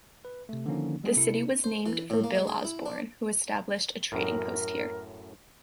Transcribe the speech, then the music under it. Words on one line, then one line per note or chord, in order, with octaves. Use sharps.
The city was named for Bill Osborne, who established a trading post here.
B4
C3 A3
D3 D#3 F3 A#3 C#4 D#4
G3 G#3 B3 C#4 G#4
C3 E4 A4 C#7
C5
E3
A2
A#3
G#3
G#4
E4
D4
F#2 A2 A#4